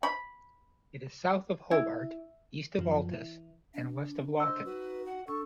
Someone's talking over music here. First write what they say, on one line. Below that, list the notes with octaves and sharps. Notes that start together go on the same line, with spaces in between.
It is south of Hobart, east of Altus and west of Lawton.
B5
E4
F#2 B2 F3
E3
D4
C5 D#5 E6
D#4 F#4 B4
F#5
D4 A4 C#6